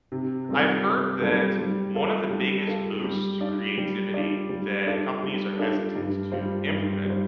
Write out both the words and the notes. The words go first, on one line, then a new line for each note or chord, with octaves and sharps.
I've heard that one of the biggest boosts to creativity that companies are hesitant to implement
C3
G3 C4 F4 A4
C3
G3 C4 F4 A4
G3
F4 A4
G3
F4 A4
G3
D4 F4 D5
G3
D4 F4 D5
G3
D4 F4 A4 D5
G3
D4 F4 A4 D5
G2
G3 F4 C5
G2
G3 F4 C5